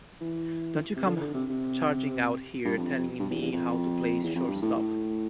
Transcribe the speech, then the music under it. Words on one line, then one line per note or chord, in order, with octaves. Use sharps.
Don't you come charging out here telling me how to play shortstop.
E3
C3
D3
E3
D3
C3
C3
G2
F2
G2
E2
E2
F2
E2
F2
G2
A2
A2